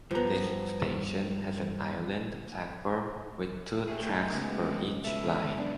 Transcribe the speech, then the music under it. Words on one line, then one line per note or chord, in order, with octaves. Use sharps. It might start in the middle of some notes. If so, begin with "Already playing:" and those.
This station has an island platform with two tracks for each line.
G2 F3 B3 A#5
A3 F#4 G#4
D#4
C#2 B3
B2 A4 B4 E5
F#2 B3 D4